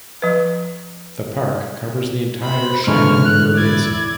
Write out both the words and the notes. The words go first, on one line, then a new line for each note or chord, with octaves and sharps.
The park covers the entire Shannon River basin.
F3 B4
C5 B5
G#2 D3 E3 C#6 F6
F#6
E4 D5 G#6